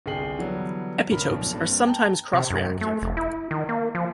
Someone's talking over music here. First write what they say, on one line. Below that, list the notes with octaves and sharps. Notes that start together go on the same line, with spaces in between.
Epitopes are sometimes cross-reactive.
G1 C2 G#4 G5 C7 F#7
D3 E3 F#3 G3 B3
G1 C#2 A#4 B5
B1 F2 A#2
G2 A#3 C4
G5 A5 A#5
C3
F#2
A3
F1
E4
D#3
A#3
F3